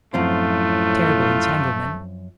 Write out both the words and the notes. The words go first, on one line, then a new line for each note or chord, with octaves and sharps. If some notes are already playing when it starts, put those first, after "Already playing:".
Terrible entanglement!
F#2 A2 F3 A3 C4 F4